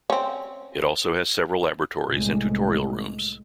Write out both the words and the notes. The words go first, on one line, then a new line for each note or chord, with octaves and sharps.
It also has several laboratories and tutorial rooms.
C4 C#4
C2 A2 G#3